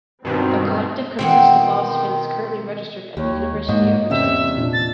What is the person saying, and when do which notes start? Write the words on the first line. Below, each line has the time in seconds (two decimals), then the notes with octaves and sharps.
The collective consists of all students currently registered at the University of Regina.
0.25 G2 B2 D#3 C4
1.19 B2 D#3 E3 B3 C4
3.17 D#2 G4 C#5
3.69 G#2 A#3 D#5
4.10 E2 C3 C#4 E5
4.57 A#2 D4
4.73 A6